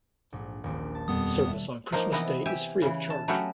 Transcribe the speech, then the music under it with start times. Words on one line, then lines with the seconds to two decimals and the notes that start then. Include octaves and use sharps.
Service on Christmas Day is free of charge.
0.32 A#1 G#2
0.64 D#1 A#1 D7
0.95 A5
1.08 F2 B2 G3 B3 D#6
1.48 E5
1.92 F3 A#3 D#4
2.12 C3 E3 B3 D#5
2.46 G4 E5 G#5
2.82 C#3 E3
3.10 A5
3.28 F#3 A3 B3 C#4 F#4 G4